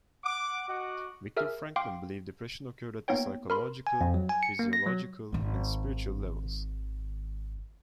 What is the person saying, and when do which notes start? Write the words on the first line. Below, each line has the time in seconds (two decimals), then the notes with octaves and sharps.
Viktor Frankl believed depression occurred at the psychological, physiological, and spiritual levels.
0.24 F#5 D6
0.68 F#4 D#5 F#5 C#6 D6
1.37 G#4 A#4 E5 E6 F6
1.76 F5 G5 C6 D6
3.08 A#3 B3 D#4 C#5 G5
3.50 A#4 B5 C6
3.87 G#5
4.01 F2
4.14 F#3
4.29 G#5
4.43 C#7
4.59 A#3
4.73 A#6
4.86 F#3
5.32 G#1 D#3